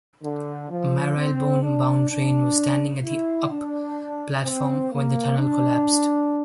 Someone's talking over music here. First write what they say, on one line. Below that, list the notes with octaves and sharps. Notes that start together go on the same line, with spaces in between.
A Marylebone-bound train was standing at the "up" platform when the tunnel collapsed.
D3
F3
C4
D4
D4
E4
D4
C4
A#3
D4